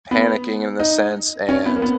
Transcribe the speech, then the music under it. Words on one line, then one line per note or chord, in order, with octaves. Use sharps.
panicking in a sense, and,
B3
D#4
C#4
B3
A#3
B3